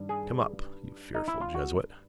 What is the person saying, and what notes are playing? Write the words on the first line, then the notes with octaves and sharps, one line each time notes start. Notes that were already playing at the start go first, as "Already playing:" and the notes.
Come up, you fearful jesuit!
Already playing: G2 D#3 G3
G#4
D#4
E4
F4
F#4